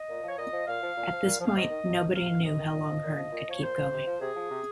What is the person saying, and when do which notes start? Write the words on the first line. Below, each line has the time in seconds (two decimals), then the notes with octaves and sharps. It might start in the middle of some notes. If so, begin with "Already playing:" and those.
At this point, nobody knew how long Hearne could keep going.
Already playing: D#5
0.09 A#2
0.24 F3 C#5
0.38 A#2 D#5
0.53 F3
0.67 A#2 F5
0.82 F3
0.97 A#2
1.12 F3
1.27 A#2
1.41 F3
1.46 F5
1.56 C3 D#5
1.70 D#3
1.85 C3
2.00 D#3
2.15 C3 F5
2.29 D#3
2.44 C3 D#5
2.59 D#3
2.73 A#2
2.89 F3
3.04 A#2
3.18 F3
3.32 A#2
3.48 F3 C#5
3.62 A#2 C5
3.77 F3
3.92 C3
4.07 F3
4.21 C3 G#4
4.36 F3
4.51 C3